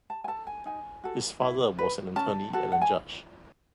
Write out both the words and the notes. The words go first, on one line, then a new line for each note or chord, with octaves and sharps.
His father was an attorney and a Judge.
A5
G#5
A4 A5
G#5
D#4 G#5
F#4 A4
E4
B4
C#4 A5
F#4 A4 A5
F#5
G#5